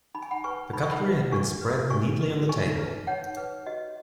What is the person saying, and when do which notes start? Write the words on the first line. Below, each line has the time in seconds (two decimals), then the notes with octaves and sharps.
The cutlery had been spread neatly on the table.
0.15 D#4 B5
0.22 G#5
0.31 F#5 B5
0.44 B4 G#5 C#6
0.73 D#4 B5
0.82 C#6
0.91 F#5 B5
1.03 B4
1.32 F#4 G#5 C#6
1.61 B4
1.90 F#4 G#5 C#6
2.20 B4
2.49 D#4 G#5 C#6
2.78 B4
3.07 D#4 C#5 F#5
3.37 B4
3.66 F#4 D#5